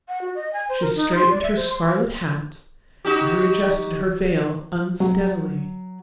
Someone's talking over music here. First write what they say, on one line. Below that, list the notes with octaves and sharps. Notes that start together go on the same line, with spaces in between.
She straightened her scarlet hat and readjusted her veil unsteadily.
F#5
F#4
D#5
G#5
C5
A#4
D#4
C6
D5
E5
C5
C6
D#4 F#4 G4
F#3